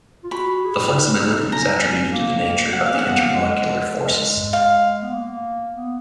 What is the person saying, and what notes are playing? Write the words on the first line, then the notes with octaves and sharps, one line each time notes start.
The flexibility is attributed to the nature of the intermolecular forces.
F4
F#4 B5
G#4
F#4
F4
D#4
C#4 A#5
A#3
F#5
F5
C#4
F#5
B3
A#3
G#3
G#3
F5
B3
A#3
B3